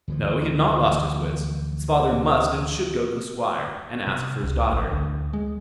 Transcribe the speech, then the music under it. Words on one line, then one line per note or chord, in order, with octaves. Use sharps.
No! he had not lost his wits, his father must and should go to the Squire, and ask for his daughter.
D2 E3 F3
C3
C#2
A1
D2
G#3